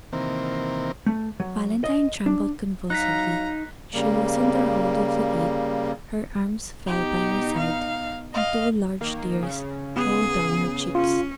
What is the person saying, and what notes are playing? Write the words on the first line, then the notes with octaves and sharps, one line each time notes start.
Valentine trembled convulsively; she loosened her hold of the gate, her arms fell by her side, and two large tears rolled down her cheeks.
C3 D#3 E3 A#3 C4
A3
F#3
D#5
D4
F#3 D#4 F5 A#5 F#6 A#6 B6
C#3 G3 A#3
B2 D#4 G4
F5
D#5 F5
D#3 A#3
C#3
B3 G#4
C#4 F4